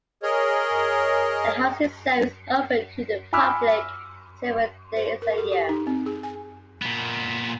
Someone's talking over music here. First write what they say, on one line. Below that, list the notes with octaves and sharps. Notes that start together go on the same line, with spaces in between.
The house itself is open to the public several days a year.
G#4 A#4 C#5 D#5
G#5 B5 D6 E6 F6
C5
A#4
A4
G4
D#4
C4
G#4
G#5
A#2 B3